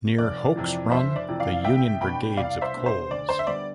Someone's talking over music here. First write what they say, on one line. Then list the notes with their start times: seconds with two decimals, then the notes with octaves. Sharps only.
Near Hoke's Run, the Union brigades of Cols.
0.18 F1 D5
0.56 F2 C3 E3
0.91 F1 C5 E5
1.16 D5
1.28 F2 C3 E3
1.40 D5 F5
1.64 C2 E5 G5
2.01 B2 B3 D4 G5 B5
2.37 C2 D5 F5
2.61 C5 E5
2.74 B2 B3 D4
2.86 C5
3.11 D2 D5
3.29 C5
3.39 E5
3.47 D3 G3 B3 D5